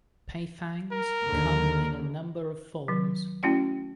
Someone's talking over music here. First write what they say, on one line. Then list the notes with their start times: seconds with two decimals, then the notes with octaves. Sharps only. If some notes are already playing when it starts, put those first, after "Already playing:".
Paifangs come in a number of forms.
0.92 A#4
1.27 D#2 D3
2.88 D#3 F#3
3.43 A3 C#4 E4 F#4 D5 G5